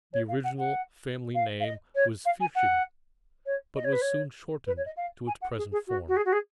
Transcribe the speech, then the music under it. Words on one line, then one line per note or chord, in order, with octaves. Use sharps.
The original family name was Pfirsching, but was soon shortened to its present form.
C#5
F5
F#5
F#5
F5
F5
D#5
C#5
F5
G#5
F#5
C#5
D#5
C#5
B4
C#5
B4
C#5
D#5
F5
G#5
F#5
G#4
G#4
F#4
F#4
G#4
F#4
G#4